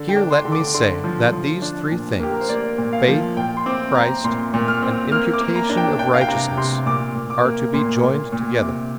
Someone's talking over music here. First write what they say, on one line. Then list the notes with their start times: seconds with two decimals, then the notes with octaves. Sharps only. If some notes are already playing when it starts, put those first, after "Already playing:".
Here let me say, that these three things, faith, Christ, and imputation of righteousness, are to be joined together.
Already playing: D3
0.09 G5
0.16 D4
0.31 C6
0.45 D3
0.52 D6
0.74 D3 C6
1.04 F3
1.33 F3
1.62 D4
1.91 A#2
2.20 A#3 G4
2.32 A#4
2.41 C5
2.49 A#3 D5
2.78 A#2
2.93 F5
3.08 F3
3.37 A#2 G5
3.57 C6
3.66 C4 D6
3.95 C4 A#5
4.24 A#2 C6
4.54 A#2
4.68 F6
4.82 C4
5.12 A#3 F6
5.34 D6
5.41 A#3
5.56 A#5
5.70 D4 A#5
5.77 G5
5.99 D4 G5
6.14 F5
6.21 G5
6.28 C3 A#5
6.57 C3 C6
6.86 A#2 D6
7.16 A#2
7.30 D6
7.45 A#3
7.74 A#2 C6
8.03 A#2
8.32 A#2
8.61 C3 D6